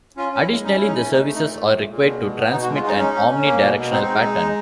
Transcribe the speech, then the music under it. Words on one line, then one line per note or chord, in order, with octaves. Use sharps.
Additionally the services are required to transmit an omni-directional pattern.
C#4 F4
C#4
E4
G#3
C#4 D#4
C#4 E4
D#4
C#4
A3 D#4
A3
D#4
A#2
A#2
A#2
A#2
B2
B2
B3
B2 D#4
F#4
G#3
F4
G#3 D#4
C#4 D#4
C#4
C#4
A#3
B2
B2
C4 D#4
G#3
G#3
G#3